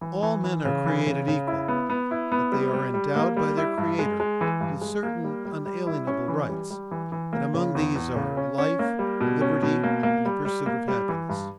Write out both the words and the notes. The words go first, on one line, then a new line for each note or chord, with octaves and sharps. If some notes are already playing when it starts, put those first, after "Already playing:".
"All men are created equal; that they are endowed by their Creator with certain unalienable rights; that among these are life, liberty and the pursuit of happiness."
E3
E3
E3
C#3
E3
C#3
C#3
E4
B3
B3
E4
B3
G3
G3
G3
A#3
G3
E4
G2
G#3
G#3
E3
G2
G#3
A#3
G3
G3
G3
E4
C#4
E3
G3
G3
E3
E3
A#3
C#3
E2
E2
C#3
C#4
C#4
A#3
G3
B2
C#4
B2
A#3
A#3
G3
G3
A#3
G3
E3
G2